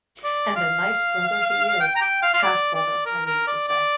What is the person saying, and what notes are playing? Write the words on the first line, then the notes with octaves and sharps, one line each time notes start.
And a nice brother he is — half-brother I mean to say.
D5
F5
G5
A#5
G5
F5
F5
D5
D5
A#4
A#4
D5
D5